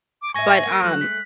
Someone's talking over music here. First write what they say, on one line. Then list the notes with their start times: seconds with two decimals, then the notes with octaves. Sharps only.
But, um,
0.22 D6
0.34 A2 E5 G#5 C#6 A#6
0.66 A#3
0.83 F#3 A3 F#6
1.01 G#3 A3 B6